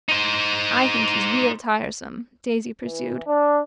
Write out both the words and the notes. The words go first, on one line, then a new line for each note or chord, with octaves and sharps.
"I think he's real tiresome," Daisy pursued.
D#4 C5
E3
D4